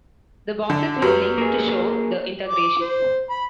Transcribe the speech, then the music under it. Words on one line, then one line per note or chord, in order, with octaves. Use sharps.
The boxes were linked to show the integration.
D3
F#2 F#4 G4 B4
A#3 G#4
D6
C5
B5